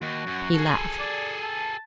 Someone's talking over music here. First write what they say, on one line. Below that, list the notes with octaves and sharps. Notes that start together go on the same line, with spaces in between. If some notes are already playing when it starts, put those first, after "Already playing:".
He laughed.
D#2 F#4
F#2
G#4 A4
D5
A5